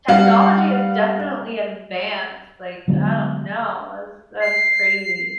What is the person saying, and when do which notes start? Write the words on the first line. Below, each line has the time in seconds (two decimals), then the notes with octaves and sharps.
technology is definitely advanced, like, I don't know, it's that's crazy.
0.08 G3 F5 F#5
2.88 D3 F#3 G#3 B3
4.41 C7